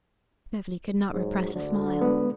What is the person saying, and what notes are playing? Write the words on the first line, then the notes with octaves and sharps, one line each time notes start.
Beverly could not repress a smile.
G#2 F#3
D2 D3
G#3 B3 B4